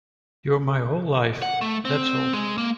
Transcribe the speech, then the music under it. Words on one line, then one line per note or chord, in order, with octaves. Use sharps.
You're my whole life, that's all.
F#5
A3
C4
G#3
A#3